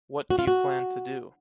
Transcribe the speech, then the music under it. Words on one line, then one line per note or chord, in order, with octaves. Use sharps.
What do you plan to do?
F#4
F4
F#4